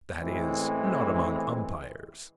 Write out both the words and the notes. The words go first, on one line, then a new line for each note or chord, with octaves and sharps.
That is, not among umpires.
A1 A2 E3 G#3 C4